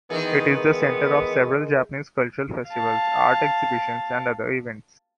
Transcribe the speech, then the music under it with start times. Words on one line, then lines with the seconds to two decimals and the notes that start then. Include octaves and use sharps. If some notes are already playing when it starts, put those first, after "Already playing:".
It is the center of several Japanese cultural festivals, art exhibitions, and other events.
0.10 D#3 E3 G#3 B3 A#4 D#5
2.69 F5 A5